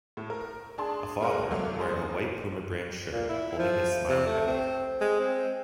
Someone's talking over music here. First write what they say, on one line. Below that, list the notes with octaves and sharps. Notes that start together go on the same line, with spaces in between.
A father, wearing a white puma brand shirt, holding his smiling daughter.
A2
A#4
D4 G#4 A5 C6
G#3 A#3 A#4 C5 F5 F#5
C2 F#3 A3 A#3
F#2 G#4 C5
A#2
E4
F3
C3
A3
C4
G#3
C4